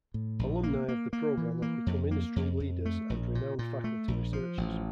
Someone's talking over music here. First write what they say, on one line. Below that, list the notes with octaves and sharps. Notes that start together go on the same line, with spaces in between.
Alumni of the program have become industry leaders and renowned faculty researchers.
A2
A#1
A#3
A#3
A#3
E3
A#3
F2
A#3
F2
F2
A3
A#1
A#2
A#2
A3
A#1
F3
A1